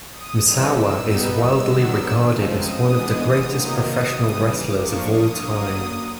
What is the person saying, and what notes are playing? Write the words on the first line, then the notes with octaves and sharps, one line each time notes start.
Misawa is widely regarded as one of the greatest professional wrestlers of all time.
D#6
E3 G3 C4 D#4 E6
E6
B2 G3 B3 D#4
E6
D#3 F#3 B3 D4 E6
C#3 F3 G#3 C4 D#4
D#6
E3 G#3 B3 D4
C3 D#3 F#3 A#3 D#4
D#6
C#3 E3 G3 D#6
D6
F3 A#3 D4 C#6
D#6
D3 F#3 A#3 D#6